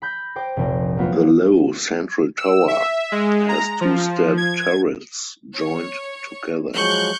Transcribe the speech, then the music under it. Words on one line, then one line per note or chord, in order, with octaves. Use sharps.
The low central tower has two stair turrets joined together.
B5 G6 A#6
C5 G5 D6 A#6
F1 A#1
F#3 A#3 B3 E4 F4
E6
E5
G#3
A#5
F3
G#6
C#5
F3 F#3 G#3 C#6 F#6 G6